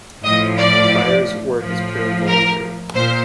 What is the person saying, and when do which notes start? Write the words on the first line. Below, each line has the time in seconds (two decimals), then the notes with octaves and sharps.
Firer's work is purely voluntary.
0.24 A2 F3 D#5
0.58 D5
1.59 A2 F3
2.27 A#4
2.95 A#2 C5